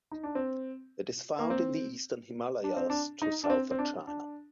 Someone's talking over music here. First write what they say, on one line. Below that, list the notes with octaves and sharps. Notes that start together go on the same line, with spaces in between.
It is found in the eastern Himalayas to southern China.
D#4
D4
C4
A#3
C4
D4
C4
D4
D#4
D4
C4
C4
D4
D4